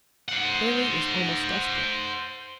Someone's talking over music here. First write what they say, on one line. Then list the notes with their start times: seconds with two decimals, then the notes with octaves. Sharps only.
Bailey was almost desperate.
0.28 C5 F#5